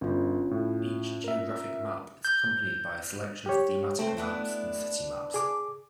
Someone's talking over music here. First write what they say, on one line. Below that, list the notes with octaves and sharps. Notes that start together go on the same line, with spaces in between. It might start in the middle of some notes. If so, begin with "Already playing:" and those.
Each geographic map is accompanied by a selection of thematic maps and city maps.
G1 C#4 F4
A2
A#4 E5
G6
G4 C#5
A3 C4 C5
B3 D4 E4
G#4 D6